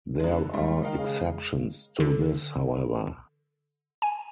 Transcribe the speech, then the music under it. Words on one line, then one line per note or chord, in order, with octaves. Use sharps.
There are exceptions to this, however.
F#2 G#3
D3
G3 G#3
D#3 D#5 F5
C#3
D3
G#5